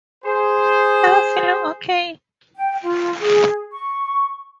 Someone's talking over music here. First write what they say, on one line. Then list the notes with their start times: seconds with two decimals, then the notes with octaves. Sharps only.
I'm feeling okay.
0.25 G#4 C5
2.56 G5
2.82 F4
3.20 G#4
3.72 C#6